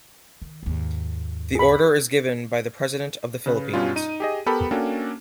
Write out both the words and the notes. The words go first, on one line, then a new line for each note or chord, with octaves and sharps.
The Order is given by the President of the Philippines.
D#3
D#2 G#2
G#4 B5
C#3 B4
G2 B2 G3 C#4 F4
D#4 D#7
G4 G#4 D#5
B3 G4 A4 A#4 B5
A#3 C#4 D4 F#4 A4 G5